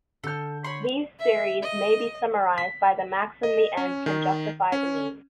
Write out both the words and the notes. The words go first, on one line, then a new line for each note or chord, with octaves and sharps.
These theories may be summarized by the maxim the ends can justify the means.
D3 A4 F6 G6
C#5 B5 C6
E5
D#5
B6
D#5
C#4
D#3
C#4